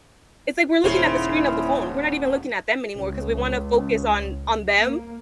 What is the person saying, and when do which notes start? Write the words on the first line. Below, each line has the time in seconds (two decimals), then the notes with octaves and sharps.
it's like we're looking at the screen of the phone, we're not even looking at them anymore 'cause we wanna focus on on them,
0.84 D#1 C#3 E4 C5
2.95 C#2
4.80 A#3